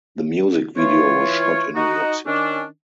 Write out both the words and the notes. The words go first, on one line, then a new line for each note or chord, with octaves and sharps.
The music video was shot in New York City.
E3 F4 C#5
D#4 F#4
D#3 C#4 D4